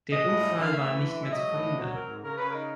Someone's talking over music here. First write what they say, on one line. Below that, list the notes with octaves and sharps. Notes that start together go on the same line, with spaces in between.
Der Unfall war nicht mehr zu verhindern.
G#3 D#5
A2
G3
D3 F5
A3 E5
E3
D3
G#3 E5
F#3 D#5
A2
D4
F#3
C4 A#4
G#2
C#3 A#4
C#3 B4
D#4 A#4